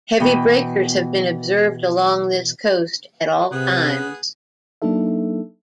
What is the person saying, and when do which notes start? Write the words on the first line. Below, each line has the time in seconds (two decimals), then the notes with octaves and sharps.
Heavy breakers have been observed along this coast at all times.
0.20 B2 E3 G5 B5
3.52 C3 B3 G#4 F#5
4.82 F#3 A#3 D4 D#4 A4 E5